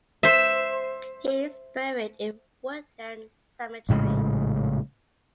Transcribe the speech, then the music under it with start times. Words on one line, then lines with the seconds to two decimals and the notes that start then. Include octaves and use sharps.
He is buried in Woodlands Cemetery.
0.23 C5 E5
3.89 A#1 A2 C#3 G#3